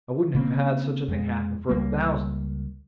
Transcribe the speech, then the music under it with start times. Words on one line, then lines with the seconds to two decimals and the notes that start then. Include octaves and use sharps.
I wouldn't have had such a thing happen for a thousand!
0.35 C#3 A#3 C4
1.08 F2 G#3
1.69 C#2 G3 A#3